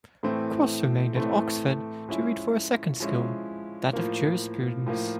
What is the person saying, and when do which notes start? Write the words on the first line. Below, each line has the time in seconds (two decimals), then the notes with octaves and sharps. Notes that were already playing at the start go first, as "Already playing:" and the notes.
Cross remained at Oxford to read for a second school, that of Jurisprudence.
0.23 A2 E3 A3 C4
1.15 A2 E3 A3 C4
2.09 F3 G#3 C#4 E4
3.00 F3 G#3 C#4 E4
3.93 A2 F3 A#3
4.86 A2 F3 A#3